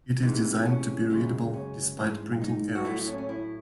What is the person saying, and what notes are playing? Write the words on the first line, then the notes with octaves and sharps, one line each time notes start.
It is designed to be readable despite printing errors.
C3 E3 G#3 D#4
C#4
F#2 C#3 G#3
C#4
G#2 E3 G#3
D#4
F#4
A2 F#3 A3 E4
E4
C#4
C#4
E4